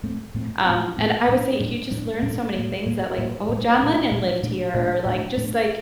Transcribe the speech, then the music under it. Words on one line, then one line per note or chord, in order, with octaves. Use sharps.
Um, and I would say you just learn so many things that, like, "Oh, John Lennon lived here," or, like, just, like
A2 A3 C4
A2 A3 C4
A2 A3 C4
A2 A3 C4
A2 G3 D4
A2 G3 D4
A2 G3 D4
A2 G3 D4
A2 G3 A#3
A2 G3 A#3
A2 G3 A#3
A2 G3 A#3
A#2 A3 D4
A#2 A3 D4
A#2 A3 D4
A#2 A3 D4
A2 A3 D4
A2 A3 D4